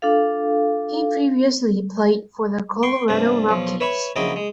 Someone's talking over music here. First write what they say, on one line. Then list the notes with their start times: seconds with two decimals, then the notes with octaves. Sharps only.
He previously played for the Colorado Rockies.
0.02 D4 F4 A4 F5
2.83 G5 C6 C#6
3.08 G2 C3 D4
3.49 B1 F3
3.80 B4 C#5 E5 B5 C#6
4.16 A#1 C#3 F#3 E4 D#5 G5
4.36 G#3